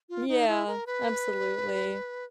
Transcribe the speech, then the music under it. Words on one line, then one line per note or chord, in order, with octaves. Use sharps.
Yeah, absolutely.
F4
D#4
E4
A#4
B4